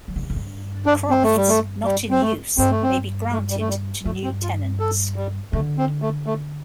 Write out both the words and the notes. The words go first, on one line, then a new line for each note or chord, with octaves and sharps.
Crofts not in use may be granted to new tenants.
F3
D3
C3
A2
G2
D4
C4
A3
G3
A3
G3
C4
A3
G2 C4
A3
C4
A3
G3
A3
G3
G2 A3
C4
F4
A4
G3
D3 A3
C4
A3
A3